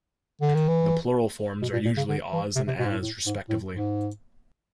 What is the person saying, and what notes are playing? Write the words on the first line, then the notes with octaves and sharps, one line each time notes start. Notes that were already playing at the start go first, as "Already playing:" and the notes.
The plural forms are usually "-os" and "-as" respectively.
D3
D#3
E3
B2
A#2
A#2
C#3
D3
E3
C3
C3
B2
G#2
A2
A2
G#2
A2
G#2